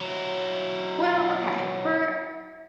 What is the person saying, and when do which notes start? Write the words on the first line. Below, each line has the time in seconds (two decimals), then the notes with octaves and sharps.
well, okay. For
0.01 F#3 E4